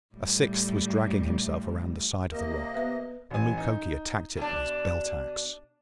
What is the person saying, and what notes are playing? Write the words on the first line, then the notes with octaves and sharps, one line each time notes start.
A sixth was dragging himself around the side of the rock, and Mukoki attacked it with his belt-ax.
A2 G3
C3 A#3 A#4 D#5
B3 B4 E5
A1 G#5
D#4
B2 D4